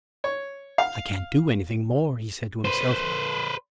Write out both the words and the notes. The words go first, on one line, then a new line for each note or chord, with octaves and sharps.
"I can't do anything more," he said to himself.
C#5
F5
B4 C5